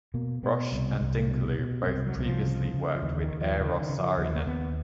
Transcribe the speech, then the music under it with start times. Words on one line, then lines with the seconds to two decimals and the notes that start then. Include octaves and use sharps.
Roche and Dinkeloo both previously worked with Eero Saarinen.
0.14 B2 A#3
0.43 B2 B3
0.72 C2
1.01 C2
1.30 B2
1.59 B2
1.83 C#4
1.87 C2 C4
2.07 F#3
2.16 C2 E3
2.26 F3
2.45 C#3
2.74 C#3
2.95 F3
3.02 D#2 E3
3.13 D3
3.22 D#3
3.31 D#2
3.41 F3
3.60 C#3 E3
3.79 D#3
3.89 C#3
3.98 F3
4.18 D#2 F3
4.36 A#3
4.47 D#2 B3